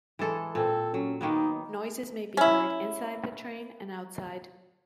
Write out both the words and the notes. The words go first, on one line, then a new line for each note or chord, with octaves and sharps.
Noises may be heard inside the train and outside.
E3 G#3 A4
A#2 C4 A4
F#3 C#4
D#3 A#3 B3 D#4
C#4 E4